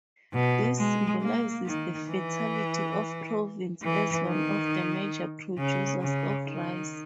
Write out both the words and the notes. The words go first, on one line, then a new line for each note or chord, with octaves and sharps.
This symbolizes the fertility of province as one of the major producers of rice.
B2
G#3
A#3
D#3
E3
E3
D#3
C#3
C#3
D#3